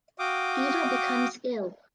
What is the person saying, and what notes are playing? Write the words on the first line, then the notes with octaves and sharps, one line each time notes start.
Eva becomes ill.
F#4 F5 G5 D6 D#6